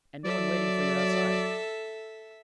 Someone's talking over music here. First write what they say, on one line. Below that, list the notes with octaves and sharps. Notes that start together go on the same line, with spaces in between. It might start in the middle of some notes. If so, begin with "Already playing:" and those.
"And no one waiting for you outside?"
F#3 A4 D5 E5